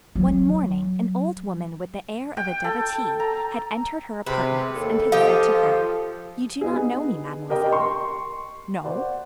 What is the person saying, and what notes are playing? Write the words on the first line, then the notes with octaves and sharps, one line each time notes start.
One morning an old woman with the air of a devotee, had entered her apartments, and had said to her, "You do not know me, Mamemoiselle?" "No."
F#3
G5
A4
A#5
C3 G#4 B4
D#2 A4
F3 G4 D#5 F5 G5
B3 D#4 G#4
G4 A#4 D#5 G5
C6 C#6
C5 D5 F#5